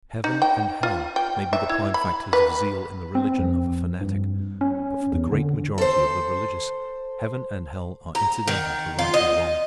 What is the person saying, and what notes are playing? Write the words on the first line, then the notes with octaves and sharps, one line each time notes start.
Heaven and hell may be the prime factors of zeal in the religion of a fanatic; but for the great majority of the religious, heaven and hell are incidental to right and wrong.
D#4
G5
F4
G5
E5
E4
B5
B4
C4
F2
G2
C#4
E2
D3
A4 C5
A#5
D#3
F4
D#5